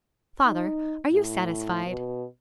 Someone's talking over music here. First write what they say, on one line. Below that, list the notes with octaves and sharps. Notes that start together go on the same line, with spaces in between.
"Father, are you satisfied?"
D#4
A2
B2